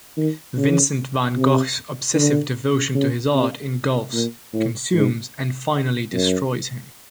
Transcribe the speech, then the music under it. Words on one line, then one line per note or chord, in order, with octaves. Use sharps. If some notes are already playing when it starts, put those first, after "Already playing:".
Vincent van Gogh's obsessive devotion to his art engulfs, consumes and finally destroys him.
D#3
C#3
C3
D3
C#3
C3
A#2
A2
G#2
F#2